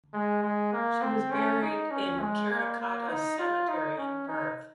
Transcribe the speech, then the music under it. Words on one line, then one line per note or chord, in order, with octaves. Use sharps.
She was buried in Karrakatta Cemetery in Perth.
G#3
G#3
A#3
C4
C#4
D#4
C#4
G#3
A#3
A#3
D#4
F4
D#4
C#4
D#4